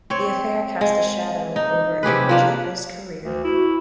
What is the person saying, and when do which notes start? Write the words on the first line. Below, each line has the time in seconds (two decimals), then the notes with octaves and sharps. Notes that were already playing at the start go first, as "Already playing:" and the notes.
The affair cast a shadow over Inverchapel's career.
0.10 C4 C#5
0.81 G#3
1.56 D#4
2.03 C3 G4 G#4 B4
2.29 F3 A#3 D4
3.23 D2
3.44 E4 F#4